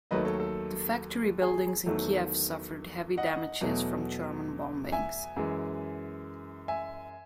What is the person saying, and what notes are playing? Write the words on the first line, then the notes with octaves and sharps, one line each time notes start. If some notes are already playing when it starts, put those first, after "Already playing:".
The factory buildings in Kiev suffered heavy damages from German bombings.
D#2 D#3 F#3 A3 B4 D#5
A4 C#5
A4
G#4
E2 D#3 F#3 A3 A4
D#5 F#5
E2 B2 F#3 A3
E5 G#5
F#2 E3 G#3
E5 G#5